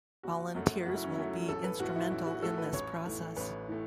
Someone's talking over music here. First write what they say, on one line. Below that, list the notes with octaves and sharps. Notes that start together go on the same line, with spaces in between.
Volunteers will be instrumental in this process.
F#1 F#4
F#2 F#3 A3
F#1 F#4
E4
C#4
E4
F#2 F#3 A3
A1 A4
B4
A2 A3 F#4
E4
A1 E4
F#4
A2 A3 A4
B4
A1 C#5
A2 E3 A3
A1 B4
A2 E3 A3